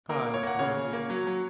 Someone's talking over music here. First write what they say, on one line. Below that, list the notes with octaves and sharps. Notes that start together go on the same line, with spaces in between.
"Pride, Rodya."
A#3 A#4
A#3
C#5
A#3 F#5
C#3 C#5
C#3
A#3
F#3
F#3